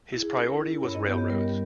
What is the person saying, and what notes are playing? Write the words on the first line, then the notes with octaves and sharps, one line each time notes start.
His priority was railroads.
E4
G#4
C#4 A#4
E4
G2 C#5
D#5
B3 G4
G4
G3 A#4